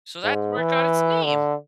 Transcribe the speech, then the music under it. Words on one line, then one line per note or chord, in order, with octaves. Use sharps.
so that's where it got its name.
G#2
E3
D3